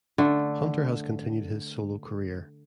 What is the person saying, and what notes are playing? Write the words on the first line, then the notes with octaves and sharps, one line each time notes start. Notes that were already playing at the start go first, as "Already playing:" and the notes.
Hunter has continued his solo career.
D3 A3